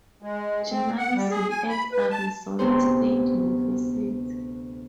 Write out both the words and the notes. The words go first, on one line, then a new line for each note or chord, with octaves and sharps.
Journalism at Arizona State University.
G#3
C4
F#5
G3
G#4
G#5
B5
B4
A5
D2 C3 B3 G#4 C5